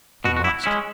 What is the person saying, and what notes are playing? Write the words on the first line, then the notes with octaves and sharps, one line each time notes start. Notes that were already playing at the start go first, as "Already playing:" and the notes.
We must.
B2 F#4
F#4
E4
G#3 C#4 E4